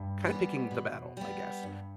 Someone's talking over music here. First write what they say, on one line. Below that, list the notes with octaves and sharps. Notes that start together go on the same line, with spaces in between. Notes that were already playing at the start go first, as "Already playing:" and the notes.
kinda picking the battle, I guess.
Already playing: G2
E3 G3 B3
B2
G3 B3
G2